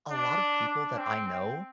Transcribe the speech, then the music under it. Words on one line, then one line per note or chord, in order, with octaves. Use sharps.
A lot of people that I know,
D4
D4
C4
C4